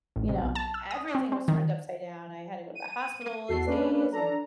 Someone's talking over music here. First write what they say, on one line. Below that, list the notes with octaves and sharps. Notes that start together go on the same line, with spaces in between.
you know, e everything was turned upside down, I had to go to the hospital these days and
A1
C3
B1
A5
E6
D#6
C4
C4
D#3
D#7
E2 F#4 A4 C7
A#3 C#4 D4 B4
D4 A4 A#5